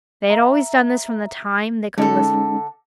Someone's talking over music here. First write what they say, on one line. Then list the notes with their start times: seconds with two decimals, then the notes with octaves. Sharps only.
They had always done this from the time they could lisp...
0.30 E5 A#5
1.98 D3 G#3 C#4 D#4 A4